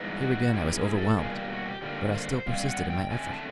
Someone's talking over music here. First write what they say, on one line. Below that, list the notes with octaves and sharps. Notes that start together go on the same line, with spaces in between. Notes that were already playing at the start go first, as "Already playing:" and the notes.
Here again I was overwhelmed, but I still persisted in my effort.
Already playing: G2 E3 G#3 B3 D#4
F#4
A2 F#3 A#3 C#4 E4 G4
G#4
A4
B2 G3 A#3 D4 F4 G#4
G4
F#4
G4
D3 G3 A#3 G4
C5
A#2 G3 C4 F5
F#5
G5
D3 F#3 A3 C4 G#5
A5